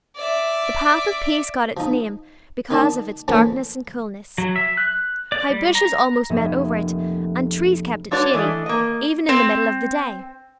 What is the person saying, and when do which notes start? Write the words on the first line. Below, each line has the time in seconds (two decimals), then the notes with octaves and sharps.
The Path of Peace got its name because of its darkness and coolness. High bushes almost met over it, and trees kept it shady, even in the middle of the day.
0.16 D5 E5
1.77 F3 D#4
2.71 D#3 D#4 D5 A5
3.28 E3 F3 A3 A#3 C#4
4.38 F#3
4.56 E5
4.77 F#6
5.32 D5
5.50 G3
5.75 A#5
6.30 F1 A#3 G#4 D#5 E5 C#7
8.11 G#3 D4 F#4 C#5 D5
8.33 E3 A3 D4 D#5
8.66 A#3 D#5
9.29 C4